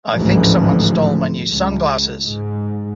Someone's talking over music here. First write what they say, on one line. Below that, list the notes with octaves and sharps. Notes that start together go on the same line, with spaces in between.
I think someone stole my new sunglassses!
A1 D2 G#2 E3 F3
C#2
G#2